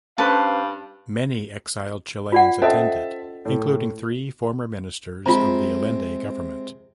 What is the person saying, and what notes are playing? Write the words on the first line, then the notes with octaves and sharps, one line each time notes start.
Many exiled Chileans attended, including three former ministers of the Allende government.
G2 C#4 B4 C5 F5 A5
F4 D5 F#5
C#4 A4 C5 D#5 E5 A5
A2
C3 G#3 F4 A#5